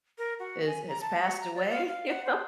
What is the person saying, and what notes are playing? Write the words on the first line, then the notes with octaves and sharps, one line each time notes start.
is has passed away, you know,
A#4
F#4
G#5
A#5
A5
F#4
A#5
D5
F5
F5
F#5
C5